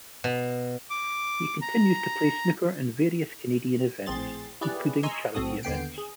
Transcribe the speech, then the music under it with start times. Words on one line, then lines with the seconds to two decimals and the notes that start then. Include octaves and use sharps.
He continues to play snooker in various Canadian events, including charity events.
0.24 B2
0.90 D6
1.62 A#5
4.06 A#1 A2 C4 G#4 C6 A6
4.61 E4 G4 G#4 B4 D5
5.03 D#5 G#5 A#5 C6 C#6 E6
5.34 B1 A2 C4 F#4 A4 D#6
5.63 D#2 D3 B3 G5 C7 D7
5.98 G#4